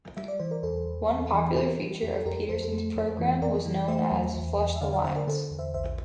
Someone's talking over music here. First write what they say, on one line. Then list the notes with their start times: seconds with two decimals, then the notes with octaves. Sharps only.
One popular feature of Peterson's program was known as Flush The Lines.
0.17 G3 E5
0.28 D5
0.39 E3 C5
0.51 A#4 D5
0.63 E2 A4 C5
0.86 E2
1.10 E2
1.33 E3
1.56 E3 A4 C5
1.67 G4 A#4
1.79 G3 G4
1.91 G4
2.02 F2 G4
2.14 A4
2.26 F2 G4 A#4
2.49 F2 A4 C5
2.72 A3
2.95 F2
3.19 E3
3.42 F2 A#4 D5
3.65 E3
3.88 A3 C5 E5
4.12 E2
4.35 E2
4.58 E2
4.76 E5
4.81 D3 D5 F5
4.93 D5 F5
5.05 D3 C5 E5
5.16 A#4 D5
5.27 D3 A4 C5
5.51 E2
5.59 C5 E5
5.74 A#1 C5 E5